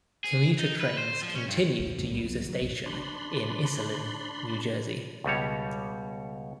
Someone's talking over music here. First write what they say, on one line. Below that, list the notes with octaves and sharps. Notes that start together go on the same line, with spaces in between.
Commuter trains continued to use a station in Iselin, New Jersey.
G#4
D#4
B4
C5
F3
C#4
G2
A#1 D#2
E2 G#2 C3 A3
B1 A2 G3
C2 F#3 B3
D3 E3 F#3
A#1 F#2
D4 B5 C6
C#2 B2 G3 C#5